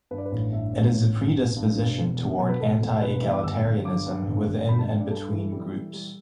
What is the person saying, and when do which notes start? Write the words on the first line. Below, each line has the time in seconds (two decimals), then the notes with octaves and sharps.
It is a predisposition toward anti-egalitarianism within and between groups.
0.11 G2 B4
0.18 D5
0.26 B4
0.32 A1
0.53 G2 E5
0.73 A1
0.94 A1
1.15 G2
1.36 A1
1.56 G2
1.77 E1 B4
1.98 E1
2.19 E2
2.40 B2
2.49 B4
2.60 E1 A4
2.81 E1
3.02 E1 B4
3.13 B4
3.23 E2 E5
3.33 D6
3.43 G1 E6
3.65 G1
3.85 G2 D6
4.06 G2
4.27 G1
4.48 G1
4.69 G2 B5
4.79 A5
4.89 G2 G5
5.00 D5
5.10 G3 A4
5.31 E3
5.52 G3
5.73 E3
5.93 G3